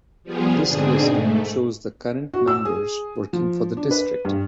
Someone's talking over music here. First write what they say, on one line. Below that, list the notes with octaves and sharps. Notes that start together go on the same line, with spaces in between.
This list shows the current members working for the district.
F3 G3 B3 F4 G#4
G#2 B2 D3 C4 D4 G#4
G#2 A3
F#4
E6
G#4
F3
D4
B4
G2